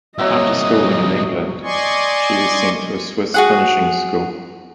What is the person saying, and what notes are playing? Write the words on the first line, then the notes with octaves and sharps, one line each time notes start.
After schooling in England she was sent to a Swiss finishing school.
C2 A#2 F#3 F#4 D#5 E5
D5 D#5 G#5 C6 C#6
F#4 G#4 F#5